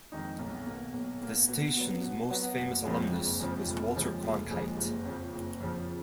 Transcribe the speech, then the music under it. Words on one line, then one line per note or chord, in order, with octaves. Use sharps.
The station's most famous alumnus was Walter Cronkite.
F2 D#3 G#3 D#4
B1
B2 A#3
B1
B2 A#3
B2
F#3 B3 F#4
B2
F#3 B3 F#4
F#1
F2 C#3 F3 G#3
F#1
F2 C#3 F3 G#3
F1
D#2 C#3 F3 G#3
F1
D#2 C#3 F3 G#3
F#1
F2 C#3 F3
F#1
F2 C#3 F3